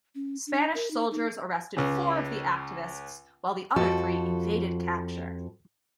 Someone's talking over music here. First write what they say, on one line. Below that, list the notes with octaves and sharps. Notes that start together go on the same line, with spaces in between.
Spanish soldiers arrested four of the activists while the other three evaded capture.
C#4
D4
A#4
D#4
D#4
C#2 C#3
F2 F3 F#4 A4